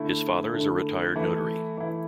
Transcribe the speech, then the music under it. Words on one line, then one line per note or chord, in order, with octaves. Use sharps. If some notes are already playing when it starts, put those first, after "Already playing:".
His father is a retired notary.
Already playing: D3 A3 E4
D3 A3 E4
E3 A3 E4
E3 A3 E4